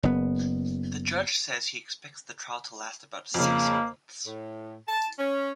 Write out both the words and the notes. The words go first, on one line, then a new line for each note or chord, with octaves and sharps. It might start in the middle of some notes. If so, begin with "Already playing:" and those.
The judge said he expects the trial to last about six months.
F#1 B3
F2 C#3 A#3
A2
A5
C#4